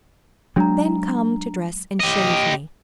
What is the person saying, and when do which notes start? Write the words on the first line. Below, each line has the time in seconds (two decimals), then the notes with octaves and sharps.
"Then come to dress and shave me."
0.56 F#3 G#3 D4 A#5
2.01 G4 D#5